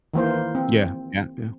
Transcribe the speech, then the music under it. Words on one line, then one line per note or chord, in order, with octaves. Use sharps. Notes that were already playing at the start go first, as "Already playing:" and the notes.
Yeah, yeah, yeah.
D#3 E3 A#3 C5
C4